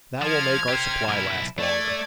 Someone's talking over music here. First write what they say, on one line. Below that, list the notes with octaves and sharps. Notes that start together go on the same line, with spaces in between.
That will make our supply last longer.
F3 F6 G#6
G4 C5
B1 E4
A3 D5 G#6